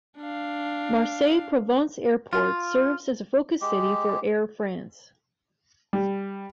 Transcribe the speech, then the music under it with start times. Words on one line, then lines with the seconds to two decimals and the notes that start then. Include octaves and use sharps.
Marseille Provence Airport serves as a focus city for Air France.
0.18 D4 F5
2.33 F4
3.61 G#3 G4
5.93 G3